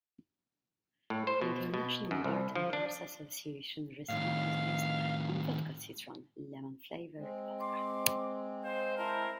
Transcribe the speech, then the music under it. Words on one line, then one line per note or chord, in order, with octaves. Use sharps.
The International Bartenders Association recipe is based on vodka citron, lemon-flavored vodka.
A2
C5
B2
B2
F#2
C2
F3
D4
A2 D#3 F5
G#3 C4
C6 D6
C5 D#5 F5
E4 A#4 C5 A5